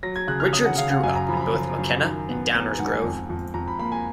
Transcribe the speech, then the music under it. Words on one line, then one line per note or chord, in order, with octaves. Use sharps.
Richards grew up in both Mokena and Downers Grove.
F#3 A#6
G#6
C#3 F#6
F6
C#3 D#6
F#5
C#3 F5
F#5
F#2 G#5
A#5
F3 B5
A#5
B5
F3
F#2
D#3
B3
B3 A#5
G#5
G#2 F#5
G#5
F2
F2
F2 A#5
B5
A#3 B5
G#5